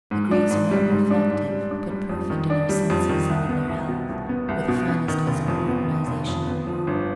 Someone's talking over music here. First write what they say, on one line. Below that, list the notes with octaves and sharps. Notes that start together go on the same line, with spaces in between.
The Greeks are not reflective, but perfect in their senses and in their health, with the finest physical organization in the world.
G#2
D4
G#2
G3
G#2
D4
G#2
G3
D4
G3
F2
D#3
D4
G3
F2
D#3
C2
B3
C2
B2
C2
B3
C2
B2
B3
D#3
F1
F2
B3
D#3
F1
F2
B3
F3
G1